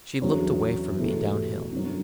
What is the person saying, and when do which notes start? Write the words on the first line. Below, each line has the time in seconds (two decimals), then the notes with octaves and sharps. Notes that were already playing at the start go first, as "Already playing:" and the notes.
She looked away from me downhill.
0.21 E2 D3 F#3 C#4
0.97 E2 B2 A3 E4 G4
1.73 F#2 D3 F#3